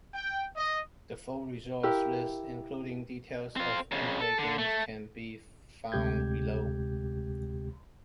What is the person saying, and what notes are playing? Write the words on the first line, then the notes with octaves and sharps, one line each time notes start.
The full results list including details of unplayed games can be found below.
G5
D#5
E4 G4 A#4 F5
C4 F4
F2 C#3
A4
D3
A3
D2 C3 G#3 G4 G6 G#6